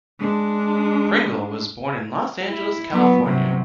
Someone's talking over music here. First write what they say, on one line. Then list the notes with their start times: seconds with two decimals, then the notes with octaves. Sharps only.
Pringle was born in Los Angeles, California.
0.20 G#3 D4
2.48 E4
2.92 F#3 B3
3.24 C3 F#3